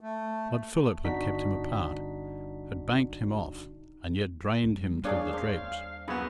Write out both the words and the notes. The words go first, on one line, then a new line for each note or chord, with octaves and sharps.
But Philip had kept him apart, had banked him off, and yet drained him to the dregs.
A3
G1 D4 D#4 F#4 B6
D#2 G3
D4 G#4 C#5 D5 F5
C5
F#2 B3 G#4